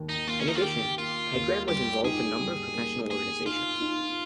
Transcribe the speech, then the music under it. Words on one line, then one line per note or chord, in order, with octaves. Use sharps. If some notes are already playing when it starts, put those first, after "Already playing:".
In addition, Pegram was involved with a number of professional organizations.
Already playing: D#2 D#3
D#4
A#3 F4
C#4
D#4
F4
D#3 G4
A#3 F4
D#2
G3 G4
D#4 G#4
G3
A#3
A#3 G#4
D#4 F4
D#4